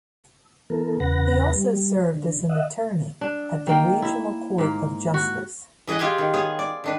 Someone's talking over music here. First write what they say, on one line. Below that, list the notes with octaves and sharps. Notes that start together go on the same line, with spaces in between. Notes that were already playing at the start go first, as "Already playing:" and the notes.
He also served as an attorney at the Regional Court of Justice.
E3 B3 A4 A#4
E2 C#3 B4 F#5 A#6
G3
D3
D#5 E5 F#5
D4
D#3 A#3 G5
E4 E5
G#2 A#3
F#4
E3 G#4 B4 D#5 F#5
F4 G4 G#4 F5 G#5
D#3
B3 G#4 C#5
D5
D#3 D4 B4